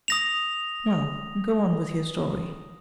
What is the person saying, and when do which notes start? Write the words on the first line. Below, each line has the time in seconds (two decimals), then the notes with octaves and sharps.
"Well, go on with your story."
0.08 D#6 A#6 F7